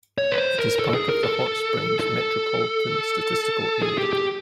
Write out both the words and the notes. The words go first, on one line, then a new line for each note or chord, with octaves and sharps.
It is part of the Hot Springs Metropolitan Statistical Area.
C#5
B4
C5
A#4
A4
A4
G#4
A#4
A4
A4
G#4
G4
G4